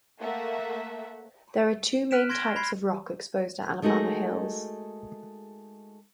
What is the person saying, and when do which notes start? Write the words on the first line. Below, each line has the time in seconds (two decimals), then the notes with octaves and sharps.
There are two main types of rock exposed at Alabama Hills.
0.19 A3 A#3 E5 F#5
2.11 F6 F#6 B6 D7 E7
2.30 C6 G#6 A#6 D7 E7 G7
2.56 B5 G#6 C7
3.82 G#3 A3 D#4 F#4 G#4 A#4